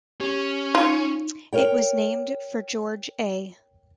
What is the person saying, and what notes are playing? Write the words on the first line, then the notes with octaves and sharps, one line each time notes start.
It was named for George A.
C#4 G4
D#4 F4
A#4 C#5 G5